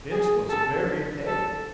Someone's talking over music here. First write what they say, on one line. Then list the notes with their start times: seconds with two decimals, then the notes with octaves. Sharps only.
Bince was very pale.
0.11 G#4
0.49 A4
1.27 A4